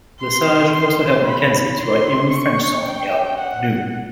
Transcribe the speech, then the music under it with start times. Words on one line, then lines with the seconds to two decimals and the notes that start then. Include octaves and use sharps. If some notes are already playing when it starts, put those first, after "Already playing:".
Lesage also helped McKenzie to write the only French song of the album, "Nous".
0.20 C6
0.73 C6
1.26 B5
1.79 C6
2.32 C#6
2.85 G5
3.38 F#5